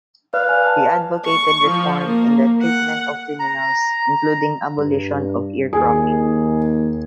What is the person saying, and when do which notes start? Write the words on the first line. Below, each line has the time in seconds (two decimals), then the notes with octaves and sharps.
He advocated reform in the treatment of criminals, including abolition of ear cropping.
0.34 B4 D5 F5 F#6
0.49 G#5
0.66 A5
1.25 C#6
1.65 F3
2.07 A#3
2.63 F#5
3.39 A#5
4.78 G2
5.73 D#2 G#4